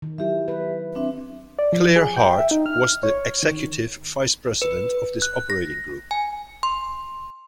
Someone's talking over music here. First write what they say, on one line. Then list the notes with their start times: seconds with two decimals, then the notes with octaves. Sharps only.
Clare Hart was the executive vice president of this operating group.
0.02 D#3
0.18 F#3 E4 G4 E5
0.48 B4
0.95 C4 D4 E5
1.59 D5
1.72 F3
1.96 G#4
2.16 G5
2.39 E5
2.51 D#4
2.66 F6
3.03 C#5
3.43 D#3
4.62 B4
5.22 F#6
5.50 A#6
6.11 G#5
6.63 C6